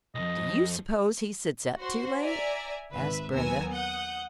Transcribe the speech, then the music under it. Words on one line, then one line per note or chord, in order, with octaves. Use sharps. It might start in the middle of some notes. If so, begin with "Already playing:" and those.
"Do you suppose he sits up too late?" asked Brenda.
B1 F2 D#5
F#4 C5
D5 E5 G#5 A#5
G#1 B4 E5
D#2 F#3 B3 A#4 G#5 E6
F#5 D#6 G6